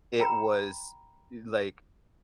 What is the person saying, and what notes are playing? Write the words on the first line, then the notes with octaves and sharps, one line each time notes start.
it was i like,
G5 A#5 B5